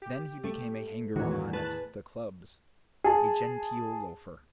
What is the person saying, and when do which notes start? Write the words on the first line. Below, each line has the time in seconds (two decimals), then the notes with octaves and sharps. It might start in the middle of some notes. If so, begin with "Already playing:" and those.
Then he became a hanger-on at the clubs, a genteel loafer.
0.02 G4
0.44 A3
1.16 E2 A2 D#3 F#4 C#5
1.53 B4 A5 F#6
3.04 G#4 A5